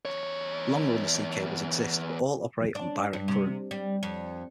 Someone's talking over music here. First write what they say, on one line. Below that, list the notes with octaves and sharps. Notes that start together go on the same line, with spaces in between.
Longer undersea cables exist, but all operate on direct current.
E2 C#5
D4
G2
C3
G3
F2